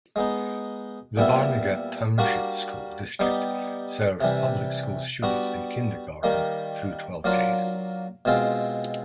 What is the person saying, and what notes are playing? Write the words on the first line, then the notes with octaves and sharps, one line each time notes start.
The Barnegat Township School District serves public school students in Kindergarten through twelfth grade.
G#3 B3 D#4
A#2 G3 B3 E4
G3 A#3 D4 F#4
G3 B3 D#4 G4
C3 E3 G3
G3 B3 D4 F#4
D#3 G3 A#3
F#3 A#3 D4 F4
B2 G#3 C4 F4